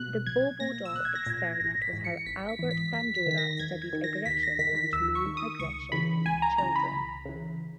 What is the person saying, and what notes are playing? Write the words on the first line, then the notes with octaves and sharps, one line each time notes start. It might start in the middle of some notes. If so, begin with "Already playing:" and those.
The Bobo Doll Experiment was how Albert Bandura studied aggression and non-aggression in children.
Already playing: B2 F#6
B1 G#6
A#2 A#6
E6
B1 F#6
G#6
A#6
A#2 G#6
A#6
G#1 A#6
B6
G#2 E3
C#7
C#7
G#1 B6
B6
E3
G#2
B6
E2 B6
B6
D#3 B6
A#6
E2 G#6
G#6
D#3
A#6
D#2 B6
A#6
D#3 B6
B6
D#2 E6
C#6
D#3
D#6
C#2 C#6
C#3 E3 B5
C#2 G#5
A#5
C#3 E3 A#5
B5
C#2
C#3 E3